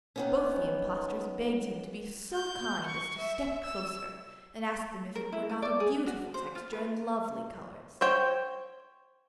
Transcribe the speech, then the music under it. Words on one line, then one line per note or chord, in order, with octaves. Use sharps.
Both the impostors begged him to be so kind as to step closer, and asked him if it were not a beautiful texture and lovely colours.
D#3 B3 C#4
G6
C#6
E5
E6
A#4
E4
E4
D5
G#4
F#4
C5
F4
B4
C5 C#5 G5